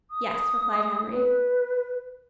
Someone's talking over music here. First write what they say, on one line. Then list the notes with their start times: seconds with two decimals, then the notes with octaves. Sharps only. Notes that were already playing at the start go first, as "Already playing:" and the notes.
"Yes," replied Henry.
0.11 D#6
1.12 B4